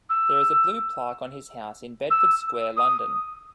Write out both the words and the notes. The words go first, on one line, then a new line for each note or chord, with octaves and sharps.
There is a blue plaque on his house in Bedford Square, London.
E6
E6
D#6